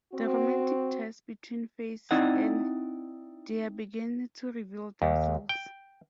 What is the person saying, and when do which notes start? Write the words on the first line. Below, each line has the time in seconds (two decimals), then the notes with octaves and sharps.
The romantic ties between Face and Dia begin to reveal themselves.
0.14 C4 F#4
2.11 C4 D#4 E4 D5 D#5 F#5
5.02 D#2
5.49 G5